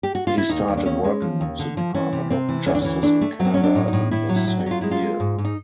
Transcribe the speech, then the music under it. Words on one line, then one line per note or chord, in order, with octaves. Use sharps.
He started working with the Department of Justice in Canada in the same year.
G4
F#4
F4
E4
D#2 D#4
D#2
D4
D#2 C#4
G#3
F3
D#2
D3
F3
E3 C#4
C3
C3 C4
E3
D2 C#4
D4
E3 C#4
A3 D4
A3
F#3
C4
F#3 C#4
D4
A2
D#4
A2
A2 E4
F#3
E4
F#3
F#4
F#3 F4
G#3 E4
F4
G#3
G#2
G#2
D#4